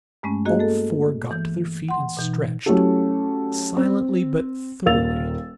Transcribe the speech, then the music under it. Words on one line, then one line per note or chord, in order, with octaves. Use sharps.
All four got to their feet and stretched, silently but thoroughly.
G2 G#3 A3 C#4
A#3 F#4 G#4 D#5
A3 A4
E3 G6
F#5 C6
B2 E3 D#4
F#3 A3 C#4 E4 G4 A4
C4
D#1 A#4 F5 E6 A6 F7